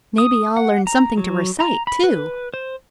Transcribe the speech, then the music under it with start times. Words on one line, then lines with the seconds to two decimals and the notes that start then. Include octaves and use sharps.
"May be I'll learn something to recite, too."
0.18 D#6
0.57 F#5
0.87 A#5
1.17 F#3
1.60 A#5
1.87 B5
2.04 B4
2.54 C5